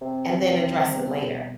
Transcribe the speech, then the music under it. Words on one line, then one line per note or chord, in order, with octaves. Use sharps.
and then address it later.
C3 C4
C4
A3
G3
B3
B2